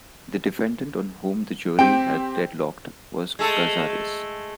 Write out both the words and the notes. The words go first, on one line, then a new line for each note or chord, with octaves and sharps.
The defendant on whom the jury had deadlocked was Cazares.
C4 G4 G5
G#3 A3 A4